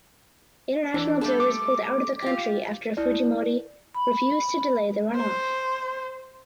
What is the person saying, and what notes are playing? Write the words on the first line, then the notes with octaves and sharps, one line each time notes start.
International observers pulled out of the country after Fujimori refused to delay the runoff.
E3 D4
G3 A3 A4
D6
F4 G4
E4 D5
B5
C5